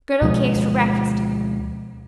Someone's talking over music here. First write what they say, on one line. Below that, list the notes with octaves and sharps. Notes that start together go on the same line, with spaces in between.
Gridel cakes for brekfast.
D2 B2 F3 G#3